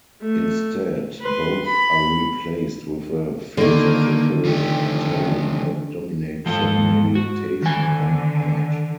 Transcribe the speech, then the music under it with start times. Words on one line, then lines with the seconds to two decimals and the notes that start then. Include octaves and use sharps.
Instead, both are replaced with a philosophical tone that dominates the meditation on art.
0.21 A3
1.21 B4 C6
1.66 B5
3.57 D3 D#3 A#3
4.45 F3 A3 G4
6.46 G#2 F3 A4
7.15 F#4
7.62 D3 D#3 G#5